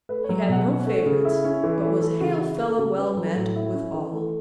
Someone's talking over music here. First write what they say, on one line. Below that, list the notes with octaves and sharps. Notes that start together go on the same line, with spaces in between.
He had no favorites, but was hail-fellow-well-met with all.
A3 B4
C#5
F#3
E5
B2 F#5
C#4 F#5
A3
C#3
E4
C#4
E3
A3 E5
E3 A4
C#3 F#4
E4 F#4
A3
A4
C#3 F#4
A4
C#4 B4
B4
F#3
A4
A2 F#4
E4
C#4
E3
A3